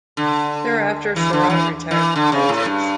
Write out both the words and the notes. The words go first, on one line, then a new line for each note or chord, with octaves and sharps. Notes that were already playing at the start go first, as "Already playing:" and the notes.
Thereafter Sarraut retired from politics.
D3
E3
D3
E3
E3
D3
C#3
A2
G2